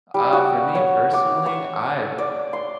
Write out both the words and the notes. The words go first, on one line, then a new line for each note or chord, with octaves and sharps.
Uh, for me personally, I
G3
F#4
C#5
D6
C#6
D5
C6